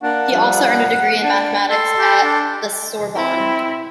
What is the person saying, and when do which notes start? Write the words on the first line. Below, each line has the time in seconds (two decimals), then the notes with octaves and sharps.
He also earned a degree in mathematics at the Sorbonne.
0.03 A#3 D4 F#5
0.32 F3 G3 F#5
1.23 D4
1.70 A4 C6
1.98 G4
2.23 D4
3.15 C4 E4